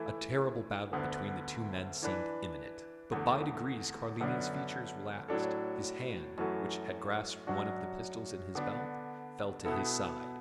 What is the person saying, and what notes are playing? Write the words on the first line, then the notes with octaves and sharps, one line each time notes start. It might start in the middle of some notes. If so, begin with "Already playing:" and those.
A terrible battle between the two men seemed imminent; but by degrees Carlini's features relaxed, his hand, which had grasped one of the pistols in his belt, fell to his side.
Already playing: E3 A3 E4 A4
D2 D3 B3
E3 D4 B4
E2 D3 A3
F#2 D3 B3 D4
A2 F#3 D4 A4
F#2 E3 A3 F#4
F#2 F#3 D4 F#4
D3 B3 D4
B2 B3 E4 A4